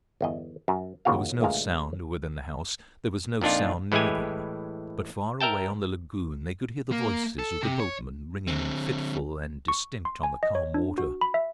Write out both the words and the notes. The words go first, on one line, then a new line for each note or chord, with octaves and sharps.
There was no sound within the house, there was no sound near them; but far away on the lagoon they could hear the voices of the boatmen ringing fitful and distinct on the calm water.
G1 E2 D#5
F#2
D#2 A#2 C#3 F#4 F5
A1 D2 A#2 G#3 F5
F2 A#2 D4 D#4 F4
A2 E3 G#3 E4 G4 G#5
A#4 E5 G5 A5
A#3
A4
C3
C#5
D3 C4
C#6
C6
G#5
D#5
C#5
D4
F#4
B5
E5